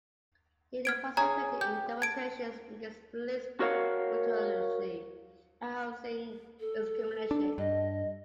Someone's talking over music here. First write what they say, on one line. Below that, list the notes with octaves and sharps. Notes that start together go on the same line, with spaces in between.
They participated in demonstrations against police brutality and housing discrimination.
F6 G#6 D7
G#4 C#5 G#5 A#5
G4 G6
A5 G#6 D7
F#4 A#4 C#5 F5 F#5
A4
D4
G2 D#5